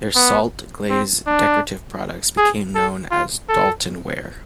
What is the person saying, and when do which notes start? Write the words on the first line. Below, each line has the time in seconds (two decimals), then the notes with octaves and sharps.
Their salt glaze decorative products became known as 'Doulton Ware'.
0.15 B3
0.90 C4
1.27 D4
2.37 G#4
2.75 A4
3.11 F4
3.49 A4